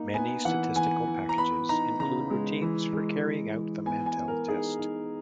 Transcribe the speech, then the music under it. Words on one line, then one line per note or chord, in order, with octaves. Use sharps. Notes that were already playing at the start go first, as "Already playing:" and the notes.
Many statistical packages include routines for carrying out the Mantel test.
Already playing: A#3 D#4
B3 G#5
E3 F#5
E3 G#5
E3
A#5
B3 B5
D#4 A#5
C#3 A#5
G#3
E3
G#3
E3
E3
B3 G#5
G#5
B3
A#4
D#4 G#4
D#4